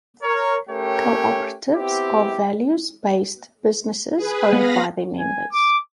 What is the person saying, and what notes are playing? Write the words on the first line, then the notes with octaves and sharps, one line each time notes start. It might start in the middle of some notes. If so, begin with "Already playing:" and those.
Co-operatives are values based businesses owned by their members.
A#4 C#5
A3 C#4 G4 A#4 C#5 G5
B3 C4 E4 G4
G#4 B4
B3 F5 B5 A#6
G#5
D6